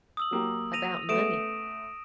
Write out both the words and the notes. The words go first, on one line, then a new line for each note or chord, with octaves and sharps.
"About money."
D#6 E6 F#7
F#3 A#3 G4
A#6 D#7 F7
A3 B3 C#4 D#6 D7 E7